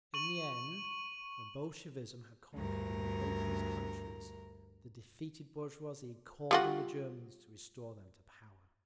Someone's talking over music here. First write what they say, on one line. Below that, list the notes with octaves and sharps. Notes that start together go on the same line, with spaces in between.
In the end, when Bolshevism had conquered in both these countries, the defeated bourgeoisie called in the Germans to restore them to power....
C#6 D#7 F#7
D2 G2 A#4
G3 F4 F#4